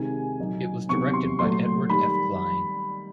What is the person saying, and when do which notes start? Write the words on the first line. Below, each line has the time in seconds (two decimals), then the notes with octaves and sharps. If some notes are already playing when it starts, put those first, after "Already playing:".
It was directed by Edward F. Cline.
Already playing: C3 D#3 G#3 G#5
0.39 A#2 F#3 A#3 D#4
0.89 C3 D#3 F#3 B3 C#6
1.13 C6
1.39 A#2 F#3 A3 C6
1.89 D#3 G3 B5